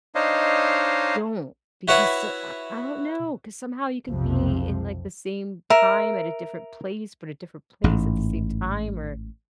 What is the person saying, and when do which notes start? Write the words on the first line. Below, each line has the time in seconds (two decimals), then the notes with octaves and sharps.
don't, because, uh I I don't know, 'cause somehow you could be in, like, the same time at a different place, but a different place at the same time, or
0.15 D4 D#4 C5 C#5 D#5 F5
1.88 E4 F#4 B4 C#5 E5 F#5
4.08 B1 F2 C3 F3
5.70 A#4 E5
7.84 A1 G#2